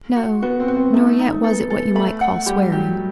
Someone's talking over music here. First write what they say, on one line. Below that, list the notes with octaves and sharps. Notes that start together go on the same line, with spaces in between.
'No, nor yet was it what you might call swearing.
F#4
B3 F#4
C4
F#4
C4
A3 D#4
D#4
B3 A4
A4
A3 B5
F#5
G3 G4
F#3 G4